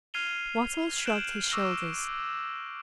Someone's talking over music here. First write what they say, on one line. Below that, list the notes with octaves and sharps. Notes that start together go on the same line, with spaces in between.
Wattles shrugged his shoulders.
F6 G#6 C7 D#7 F7 G7
F#6 G6 D7 E7 F#7
C#6 D6 E6 F#6 A#6